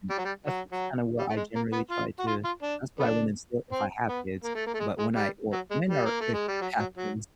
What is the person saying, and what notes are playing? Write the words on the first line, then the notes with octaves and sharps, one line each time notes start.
and that's that's kind of what I generally try to that's what I wanna instill, if I have kids, but when I or when or if I have kids,
G3
F#3
G3
F#3
F#3
G3
A3
G#3
A#3
B3
F4
F#4
F4
F4
D4
A3 B3 D4
C4
B3
A#3
A3
A#3
A3
G#3
G#3
G3
F#3
G#3
G3
A#3
A3
G#3
G3
F#3
F#3
F#3